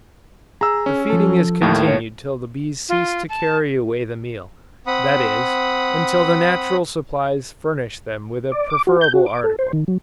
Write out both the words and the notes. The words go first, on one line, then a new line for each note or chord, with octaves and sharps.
The feeding is continued till the bees cease to carry away the meal; that is, until the natural supplies furnish them with a preferable article.
G#4 A#5 E6
C#4
F3 A4
D#2 A2 D#3
C#5
F4
A5
C4 F#5 B5 D#6
D5
D6
F#4
G6
F#4
D6
A4
C5
D#3
F#3